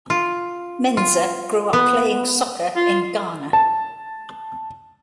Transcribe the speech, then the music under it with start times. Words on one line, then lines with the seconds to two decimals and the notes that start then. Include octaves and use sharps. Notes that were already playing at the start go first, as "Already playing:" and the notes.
Mensah grew up playing soccer in Ghana.
0.10 F4
0.97 F4
1.73 B3
2.76 F4
3.53 A5